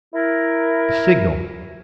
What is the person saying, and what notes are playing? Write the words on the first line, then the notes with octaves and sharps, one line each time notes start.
The signal!
E4 A#4